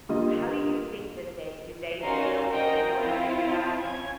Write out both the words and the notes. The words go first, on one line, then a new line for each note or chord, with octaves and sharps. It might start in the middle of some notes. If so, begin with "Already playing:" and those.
how do you think that they do they fail? Do they know how to do that?
D3 G3 A#3 F4 D#5
C#4 D#4 F#4 A#4 F5 C6
C#4 F#4 A#4 C5 D#5 G5
C4 E4 F4
C#4 G#6